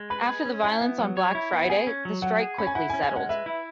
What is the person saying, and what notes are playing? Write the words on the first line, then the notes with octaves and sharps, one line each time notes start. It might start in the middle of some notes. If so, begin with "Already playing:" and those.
After the violence on Black Friday, the strike quickly settled.
Already playing: G#3
B4 B5
G#4
C#4
E4 G#5
B3
F#3
C#5
E4
B3
F#5
G#4 G#5
C#4
F#3
F#3 F#5
G#4
C#4 B5
G#5
E4 F#5
C#4 G#5
G#5
G#3 F#5
B4 E5
E4